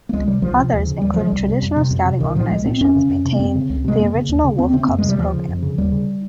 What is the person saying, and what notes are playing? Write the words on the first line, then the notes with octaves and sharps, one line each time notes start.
Others, including Traditional Scouting organizations, maintain the original Wolf Cubs program.
A#3
C#2 G#3
C3 G3
C2 F3
C3
D#2
C#3
D#2 G3
C#3 F3
G3
C2
C3
F2
C3
F2
C3
C2 D#3
A#2 F3
C2 G#3
A#2 C4
F2 C#4
C#3
F2
C3
A#3
F2 C4
C#3
C#2
C3 G#3
F2 A#3
C#3
D#2
C#3
D#2 C4
C#3 C4
F2 A#3
G#3
C3
G3
D#2 F3
C#3
F2
C#3
D#2 G3
C#3